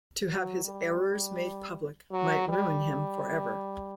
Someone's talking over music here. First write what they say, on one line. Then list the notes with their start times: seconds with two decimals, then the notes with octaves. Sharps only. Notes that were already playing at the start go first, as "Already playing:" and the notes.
To have his errors made public might ruin him for ever.
0.29 F#3
0.65 G3
2.11 F#3
2.49 G3